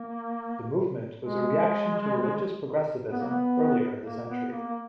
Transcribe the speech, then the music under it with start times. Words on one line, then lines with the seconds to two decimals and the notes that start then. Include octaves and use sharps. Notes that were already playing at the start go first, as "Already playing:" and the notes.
The movement was a reaction to religious progressivism earlier in the century.
Already playing: A#3
1.25 G#3
3.12 B3
3.20 A#3
3.28 B3
4.05 A#3
4.28 B3
4.52 A#3
4.67 A#3